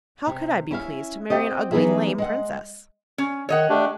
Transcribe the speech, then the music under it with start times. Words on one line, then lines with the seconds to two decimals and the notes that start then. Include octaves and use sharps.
'How could I be pleased to marry an ugly, lame Princess?'
0.27 C3
0.71 C#4 E4 E5 F5
1.30 C4 F#4 G4 D#5
1.71 E3 F#3 B3 D#4 G#4 E5
2.18 G#3 D#5 F#5
3.18 C#4
3.49 D#3 C#5 D#5 F#5
3.69 A3 D4 G4